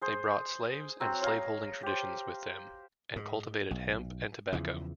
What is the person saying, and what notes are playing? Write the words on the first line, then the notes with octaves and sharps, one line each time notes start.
They brought slaves and slaveholding traditions with them, and cultivated hemp and tobacco.
G#4 C5
F#3 C4 F#5
C#5 F5 G#5 A#5
G4 C5
G#2
B1
E2 C#3 E3 F3